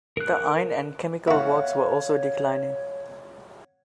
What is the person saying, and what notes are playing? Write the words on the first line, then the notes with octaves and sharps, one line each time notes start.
The iron and chemical works were also declining.
A#4 F#6
E4 F#4 C#5 F5 F#5